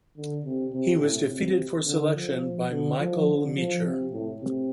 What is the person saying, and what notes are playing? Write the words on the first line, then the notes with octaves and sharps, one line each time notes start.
He was defeated for selection by Michael Meacher.
D3
C3
C3
A2
C3
D3
F3
D3
F3
D3
F3
C3
A2
C3